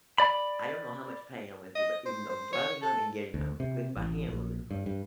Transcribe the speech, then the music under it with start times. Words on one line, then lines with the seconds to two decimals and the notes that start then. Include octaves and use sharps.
I don't know how much pain I went through, but even though, I'm driving home and getting home, 'cause my hand literally froze.
0.18 D5 B5
1.76 D#5
2.06 C5
2.30 C5
2.53 C#5
2.82 A4
3.34 D2
3.60 C3
3.97 A1
4.29 A#1
4.71 G2
4.86 G2